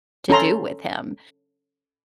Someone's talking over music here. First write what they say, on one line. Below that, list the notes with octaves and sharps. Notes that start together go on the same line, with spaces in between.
to do with him,
C#4 A4 A#5 C6